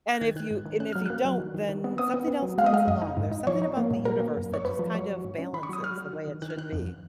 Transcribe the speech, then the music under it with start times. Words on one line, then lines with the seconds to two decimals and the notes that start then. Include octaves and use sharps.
And if you and if you don't, then something else comes along. There's something about the universe that just kind of balances the way it should be.
0.14 F#6
0.21 D#3 G#6
0.36 D#3 F#6
0.51 G#2
0.66 D#3
0.80 C#4 F#6
0.93 F#3 F6
1.06 A#3 F#6
1.25 F#3
1.40 D#3
1.54 D#3
1.69 D#3
1.84 B3
1.98 B3 D#6
2.14 B3
2.28 B3
2.43 F#3
2.58 G#3 F5
2.66 D#5
2.73 G#3 F5
2.87 F#2 D#5
3.02 D#4
3.17 G#2
3.31 D#4
3.47 F3 C#5
3.62 D#4
3.77 A#3
3.91 A#2
4.05 F#3 A#4
4.20 A#3
4.36 F#2
4.50 F#2 C#5
4.65 F#2 B4
4.79 F3
4.95 F#3 C#5
5.09 F#3
5.25 G#2
5.38 C#4
5.53 D#3 B5
5.63 C#6
5.69 F#3 D#6
5.83 F#3 F6
5.98 F#3
6.13 D#3
6.28 D#3
6.42 D#3 F#6
6.50 F6
6.57 D#3 F#6
6.72 F2